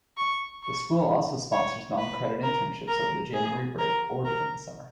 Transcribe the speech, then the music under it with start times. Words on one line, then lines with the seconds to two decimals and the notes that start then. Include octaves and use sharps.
The school also sponsors non-credit internships over the January break or during the summer.
0.17 C#6
0.63 C#6
1.53 C#5
1.98 B4
2.43 A#4
2.88 A#4
3.34 G#4
3.79 A#4
4.25 A#4